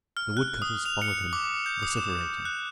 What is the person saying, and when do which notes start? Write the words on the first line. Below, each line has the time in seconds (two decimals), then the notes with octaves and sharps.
The woodcutters followed him, vociferating.
0.17 F6
0.37 F#6
0.62 D#6
0.86 F7
1.02 C#7
1.33 D6
1.66 G6
1.83 D#6
1.97 E7
2.45 F#6